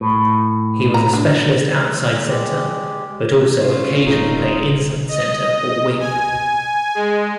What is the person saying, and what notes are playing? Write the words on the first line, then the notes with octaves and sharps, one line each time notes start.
He was a specialist outside centre but also occasionally played inside centre or wing.
A2
A#5
D4
G#3 G4
C#4 F4
D1 G1 D2 G3 C4 D#4 A#4
D#5
G#5
G#3